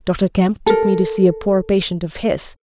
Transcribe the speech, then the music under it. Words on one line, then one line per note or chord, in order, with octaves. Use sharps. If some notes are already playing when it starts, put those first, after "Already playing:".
"Dr. Kemp took me to see a poor patient of his."
A4 A#4